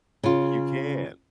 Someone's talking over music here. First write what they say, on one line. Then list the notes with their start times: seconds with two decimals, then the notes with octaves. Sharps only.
You can.
0.23 C#3 F4